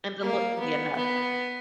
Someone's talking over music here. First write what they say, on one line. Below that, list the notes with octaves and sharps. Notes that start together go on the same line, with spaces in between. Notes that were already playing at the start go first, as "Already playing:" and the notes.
and the look can be enough.
A#3
B3
B3